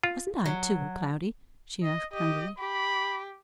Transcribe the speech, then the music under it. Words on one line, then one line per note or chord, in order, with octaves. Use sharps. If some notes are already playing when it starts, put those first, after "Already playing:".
"Wasn't I, too, Cloudy?" she asked hungrily.
F4
F#3
D#5
G4 D#5
G4 B5